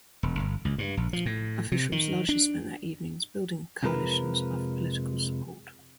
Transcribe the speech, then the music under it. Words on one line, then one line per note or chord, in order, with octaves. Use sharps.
Officials largely spent their evenings building coalitions of political support.
E1
G1
C#2
G2
A#1
F3
A2
C3
D#3
D4
F2 C3 F3 G#3 A#4 B4